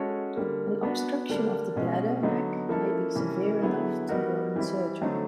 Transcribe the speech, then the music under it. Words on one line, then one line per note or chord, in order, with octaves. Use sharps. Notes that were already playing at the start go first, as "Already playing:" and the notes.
An obstruction of the bladder neck may be severe enough to warrant surgery.
Already playing: G#3 C#4 F#4 A4 C#5
D3 G3 A#3
B3 D4 F#4
D3 G3 A#3 D4
B2 G#3 C#4
D3 F#3 B3 D#4
F3 A#3 C#4 E4 A4
C3 E3 G3 A#3 C#4
D3 F#3 B3 E4 G#4
G3 B3 D#4 F#4 A#4
E3 G3 C4 E4
D3 F#3 A3 C4 D#4